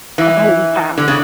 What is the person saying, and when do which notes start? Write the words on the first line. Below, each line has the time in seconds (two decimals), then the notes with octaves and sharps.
Oh, wow.
0.18 E3
0.98 D3
1.08 C#3